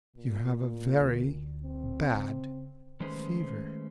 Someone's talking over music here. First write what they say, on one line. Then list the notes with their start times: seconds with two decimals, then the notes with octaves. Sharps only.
"You have a very bad fever."
0.16 A#2
1.00 D2
1.63 C4
2.14 C#3
3.00 D#3 G#3 A3 C#4 B4 C5